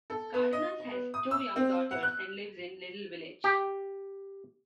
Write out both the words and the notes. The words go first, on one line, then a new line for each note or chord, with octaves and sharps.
Cardenas has two young daughters and lives in Little Village.
A4
B3
D#5
B3
D#6
E6
C4
F#5
F#6
G4